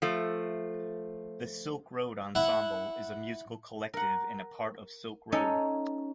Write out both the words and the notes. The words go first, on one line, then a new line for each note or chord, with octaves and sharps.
The Silk Road Ensemble is a musical collective and a part of Silkroad.
F3 A3
E4 F#5
A#4 F#5
C#4 D#4 A4 C#5